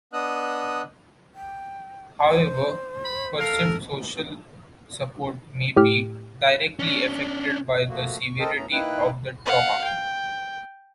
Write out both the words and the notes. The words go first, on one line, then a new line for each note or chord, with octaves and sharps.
However, perceived social support may be directly affected by the severity of the trauma.
B3 D4 D#5 D#6 E6 F#6
G5
C5
B5
A4 A#4 F5
A2 G4 F6
C#4 D4
F3 A3 A#3 F#4
C#6
A4 A#4 C5 D#5 G5 A5
D2 A2 A3 B3 C#4 A#5
A#3 D#4 E4 B4 G5 F#6
F5 F#5
G5